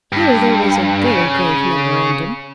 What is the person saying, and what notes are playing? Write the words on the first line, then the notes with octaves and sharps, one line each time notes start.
Here there was a very grave memorandum.
G2
C#3